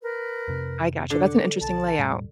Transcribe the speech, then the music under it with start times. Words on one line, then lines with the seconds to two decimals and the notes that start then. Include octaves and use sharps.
I gotcha. That's an interesting layout.
0.02 A#4 B4
0.48 F2 C3
1.11 D3 F#5 D6
1.61 B1 A5
1.98 E1 A2 G3